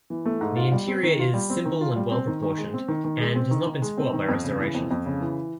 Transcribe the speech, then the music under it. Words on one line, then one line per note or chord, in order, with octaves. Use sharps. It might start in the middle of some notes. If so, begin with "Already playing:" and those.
The interior is simple and well-proportioned, and has not been spoilt by restoration.
E3
A3
G#2
F4
G3
C4
D#3
F4
G3
C4
D#3
F4
G3
C4
D#3
D#3
G#3
C4
D#3
D#3
G#3
C4
D#3
D#3
G#3
C4
D#3
F2
C#3
E3
F2
F2
C#3
E3